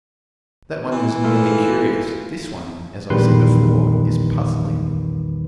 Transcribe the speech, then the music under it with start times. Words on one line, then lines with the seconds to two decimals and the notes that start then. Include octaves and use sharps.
"That one is merely curious; this one, as I said before, is puzzling."
0.92 E3
1.23 A3 F4 A4
3.10 A#1 E2 D#3 G3 B4 C6